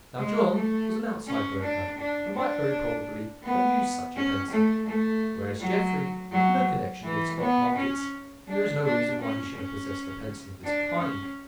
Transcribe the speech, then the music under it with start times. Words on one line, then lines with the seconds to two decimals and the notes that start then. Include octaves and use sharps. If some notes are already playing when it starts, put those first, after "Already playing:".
Now John was an outside broker and might very probably have used such a pencil, whereas Jeffrey had no connection with the stock markets and there is no reason why he should have possessed a pencil of this kind.
0.18 G#3
0.55 A3
1.27 C#4
1.63 D4
1.99 D4
2.35 D4
3.44 B3
4.16 C#4
4.51 A3
4.87 A3
5.60 F#3
6.32 F#3
7.04 E3
7.40 B3
7.76 C#4
8.48 D4
8.84 D4
9.20 C#4
9.56 C#4
10.64 D4
11.00 C#4